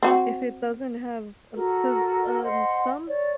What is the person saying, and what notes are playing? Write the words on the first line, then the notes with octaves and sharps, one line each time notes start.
if it doesn't have a l 'cause, um, some
C4 F#4
F#4 A4 A#4
C5 D#5 F#5 C6
C#5 D5